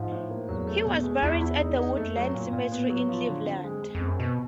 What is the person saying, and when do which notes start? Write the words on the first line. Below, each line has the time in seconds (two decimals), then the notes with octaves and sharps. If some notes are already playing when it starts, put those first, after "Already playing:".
He was buried at the Woodland Cemetery in Cleveland.
Already playing: G#2 F3
0.11 A2
0.30 A#3
0.49 E2 F#3
0.67 A3
0.86 B2
1.04 G#3
1.23 E2 E4
1.42 E4
1.60 D#4
1.78 D#4
1.97 F2 A3
2.16 F#3
2.28 G2
2.34 F#2 A#2
2.46 G2
2.53 A#2
2.59 G#2
2.71 A2 B3
2.90 F#3
3.08 F3
3.27 D3
3.45 G#2 C4
3.64 G2 G#3
3.82 F2 G#3
3.95 F2
4.01 C4
4.07 F#2
4.20 B2 B3